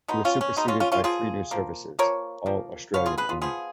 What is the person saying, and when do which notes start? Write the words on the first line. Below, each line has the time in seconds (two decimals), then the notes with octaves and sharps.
It was superseded by three new services, all Australian-owned.
0.08 B2 G#3 B3 D#4
0.25 C#4 F4
0.41 C#4
0.57 B2 G#3 B3 D#4
0.68 C#4 F4
0.80 C#4 F4
0.92 C#4 F4
1.04 F3 A#3 F4 G#4
1.51 F3 A#3
1.99 F3 A#3 A#4 C#5
2.46 F3 A#3
2.94 F3 B3 C#5 F5
3.06 F4 G#4
3.18 G#4 B4
3.29 F4 G#4
3.41 F3 B3 F4 G#4